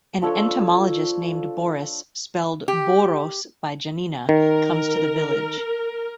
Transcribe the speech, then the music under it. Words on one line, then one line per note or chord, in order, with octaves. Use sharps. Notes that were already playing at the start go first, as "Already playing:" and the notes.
An entomologist named Borys–spelled "Boros" by Janina–comes to the village.
F3 D4 A4 C#5
G4
D#3 A#4